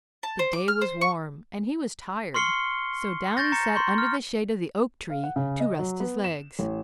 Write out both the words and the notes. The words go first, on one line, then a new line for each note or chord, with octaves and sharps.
The day was warm, and he was tired; so down he sat under the shade of the oak-tree to rest his legs.
A5
C5
D6
F6
C5
C#6
C6 C#6 F6 C7 C#7 G7
C#6 G6 A6 A#6
A#5 C#7
C6 C#6 G6
F6
F5
F#5
C#3
D#5
F#3
B3
E7
A1